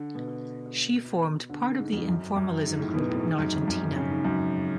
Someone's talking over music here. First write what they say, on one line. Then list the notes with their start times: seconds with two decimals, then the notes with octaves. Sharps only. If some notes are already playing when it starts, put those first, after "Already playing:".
She formed part of the Informalism group in Argentina.
Already playing: D3
0.15 B2
1.50 D3
1.78 G#2
1.93 F2
2.08 F#2
2.36 F#2
2.66 G#2
2.81 A2
2.94 B2
3.09 A2
3.23 G#2
3.38 F#2
3.52 F2
3.67 F#2
3.81 G#2
3.96 C#3
4.10 G#2
4.24 F#2